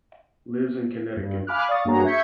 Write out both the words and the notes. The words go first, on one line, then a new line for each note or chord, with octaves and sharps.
Lives in Connecticut.
G2
F5 G#5 B5 D6 F6 F#6
D5 F5 C#6 D#6 A6
G2 A#3 F#4 G#4 C#5 A#5
E5 C#6 G6 G#6 B6 C#7